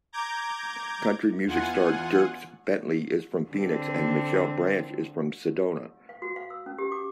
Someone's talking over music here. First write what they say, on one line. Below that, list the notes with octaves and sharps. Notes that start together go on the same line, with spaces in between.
Country music star Dierks Bentley is from Phoenix and Michelle Branch is from Sedona.
A#5 D6 G6 G#6
E2 F4 F#5 G#5
D3 C4
F5
F#4
F5
E6
C#4
G4
D6